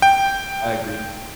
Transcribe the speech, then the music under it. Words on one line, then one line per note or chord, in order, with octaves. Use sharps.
I agree.
G5